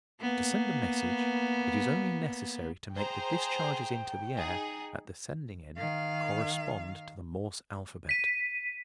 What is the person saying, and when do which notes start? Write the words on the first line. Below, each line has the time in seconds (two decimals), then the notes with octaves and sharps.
To send a message it is only necessary to make the discharges into the air, at the sending-end, correspond to the Morse alphabet.
0.21 A#3 B3
2.96 G#4 C5 G5 A#5
4.37 D#4 G#4
5.77 D#3 F5
8.09 B6 D#7